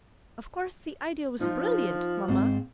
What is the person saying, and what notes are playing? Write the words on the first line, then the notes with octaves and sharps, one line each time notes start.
Of course the idea was brilliant, mamma.
F3 D#4 F4
G#2 C4 F5